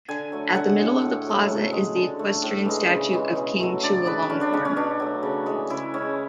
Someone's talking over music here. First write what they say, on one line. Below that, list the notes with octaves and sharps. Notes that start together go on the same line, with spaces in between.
At the middle of the plaza is the equestrian statue of King Chulalongkorn.
D3 G#5
F#3 A3
D3 F#5
G#3
A2
F#3 A3
C#3
G#3
D3
A3
A2
E3 G#3
C#3
E3 G#3
B2
F#3 A3
D3 D5
G#3 B4
D3 C#4
D4
G#3 C#4
C#4
B2 D4
F#3 A3
C#3
E3 G#3
C#3 E4
G#3 C#4